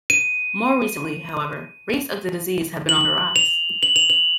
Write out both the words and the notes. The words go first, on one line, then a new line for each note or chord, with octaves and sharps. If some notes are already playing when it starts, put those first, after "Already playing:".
More recently, however, rates of the disease have been on the rise.
D#7
F#7
F7
F#7
F7
F#7